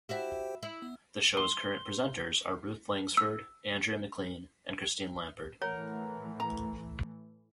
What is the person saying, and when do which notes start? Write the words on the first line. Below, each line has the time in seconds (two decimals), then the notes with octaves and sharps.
The show's current presenters are Ruth Langsford, Andrea McLean, and Christine Lampard.
0.09 E4 F#4 G4 C5 E5 G5
0.63 E4
0.82 B3
1.37 C6 G7
3.17 E6
5.62 A2 E3 A3 A#4 C#5 F#5
6.40 A#5